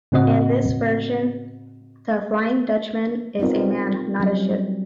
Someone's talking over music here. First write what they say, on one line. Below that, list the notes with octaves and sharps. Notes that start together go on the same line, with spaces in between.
In this version, the Flying Dutchman is a man, not a ship.
A2 C#3 C4 F#4 D#5 F#5
B3 C4 D#4 F4 A#4
F#3 G3 C#4